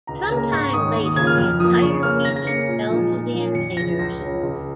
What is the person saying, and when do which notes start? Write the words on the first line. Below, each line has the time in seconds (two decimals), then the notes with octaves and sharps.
Sometime later the entire region fell to the invaders.
0.07 C#2 A#5
0.23 A#5
0.30 C#3 A#3
0.37 A#5
0.51 G#2 C#6
0.73 D#3 G#3 C#4 D#6
0.94 D#2 C#6
1.05 D#6
1.16 C#3 A#3 F4 G#6
1.27 F6
1.38 F2 F6
1.60 F3 A#3 D#6
1.82 C#3 C#6
2.03 A#3 C#4 F6
2.25 C#3 A#6
2.36 A#6
2.46 A#3 C#4 C#7
2.68 A#2
2.90 F3 G#3 D#4
3.12 A#2
3.34 F3 C#4
3.55 F2 C#7
3.77 C#3 F3 A#6
3.99 C#2 A#6
4.20 C#3 F3 C#4
4.43 C#2